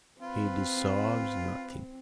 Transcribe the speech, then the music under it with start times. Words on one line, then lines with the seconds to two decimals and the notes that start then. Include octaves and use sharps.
He deserves nothing.
0.20 C4 F4 B4